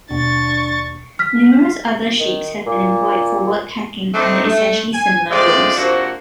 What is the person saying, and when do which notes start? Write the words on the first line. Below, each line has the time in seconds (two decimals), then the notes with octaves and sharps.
Numerous other shapes have been employed for word-packing under essentially similar rules.
0.11 D#2 B2 D4 C#6 A6
1.19 F6 B6
2.20 D#3
2.66 A#2
4.14 A3 C4 D4 D#4
4.45 A3
4.93 G#5
5.30 G#3 A3 C4 F4 A4 D5
5.76 C3 F3 A#3 D4 F#4